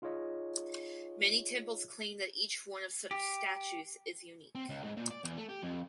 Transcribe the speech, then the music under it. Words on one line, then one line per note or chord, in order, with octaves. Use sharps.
Many temples claim that each one of such statues is unique.
D#4 F4 G#4 C#5 D#5
G4
C4
C#2
G#2
A#2
D5
E2
A3
G4
F2